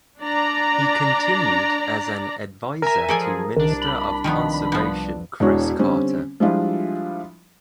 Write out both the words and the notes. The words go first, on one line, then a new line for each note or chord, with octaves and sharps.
He continued as an adviser to Minister of Conservation Chris Carter.
D4 D5 A#5
A#4 E5 G#5 A#5
F3 G#4 A4 D5 G#5
C2 D#3 D4
B5
D#3 F3 B3
F3 B3
E1 E3 G#3 D4 F#4 C#5
D3 G3 C4 C#4
F3 G3 G#3 D4 E4 F4